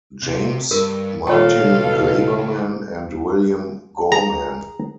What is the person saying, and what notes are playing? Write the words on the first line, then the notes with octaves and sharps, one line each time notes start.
James, Martin Glaberman, and William Gorman.
C3
G2 A#4
A#2 D#3 F3 F4 A4 C#5 F5 G5
C#2 B2
G#4 A#5